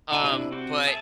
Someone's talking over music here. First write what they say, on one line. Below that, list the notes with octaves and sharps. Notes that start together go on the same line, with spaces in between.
um, but,
D3 D#4 F#4 G#5
C3 D4 E4
C4 F#4 G4
G#4 E5 A5